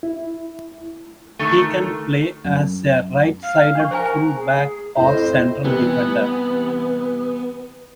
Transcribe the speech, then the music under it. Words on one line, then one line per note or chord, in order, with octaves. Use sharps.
He can play as a right-sided full back or central defender.
E4
D3 D#3 A3
F#2
F5
D4 C#6
A#4 C5 G#5
G#5
G#4
F2 A2 E4 C5 D#5
C3 E3 G3 B3